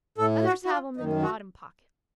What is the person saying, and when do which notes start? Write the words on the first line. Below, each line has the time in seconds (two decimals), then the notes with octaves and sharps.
Others have 'em in the bottom pocket.
0.18 A2 A4
0.44 F#4
0.65 F#4
0.70 F4
0.97 F#2 D#3 D#4
1.22 F#4